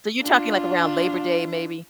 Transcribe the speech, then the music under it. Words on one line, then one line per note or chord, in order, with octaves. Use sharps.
So you're talking. like, around Labor Day maybe?
D4 F4